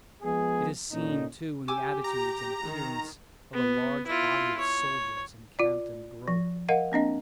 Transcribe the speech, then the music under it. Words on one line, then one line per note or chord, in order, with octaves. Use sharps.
It is seen, too, in the attitudes and appearance of a large body of soldiers encamped in a grove.
F3 G#3 B3 G#4
A#2 D3 C#4 D#4
G4 G#5 D6 E6
A#5
D#3
B3
E4 F4
C#5
F4 D5
F3
A#4 D#5 F5 F#5
A#3 C4 D4 D#5